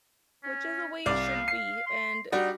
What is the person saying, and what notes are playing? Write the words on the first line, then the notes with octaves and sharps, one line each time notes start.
Which is the way it should be, and
C#4
C2 D5 F5
C7
C6
G3 D4 D#4 F#4